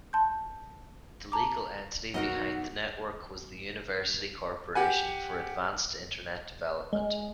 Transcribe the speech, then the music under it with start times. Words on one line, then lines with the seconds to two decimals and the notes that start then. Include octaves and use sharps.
The legal entity behind the network was the University Corporation for Advanced Internet Development.
0.13 A5 C6 G6
1.32 A5 A#5 D6
2.14 B1 D#4 F#4 A#4 D#5 F#5
4.75 G4 F#5 G#5
6.93 G#3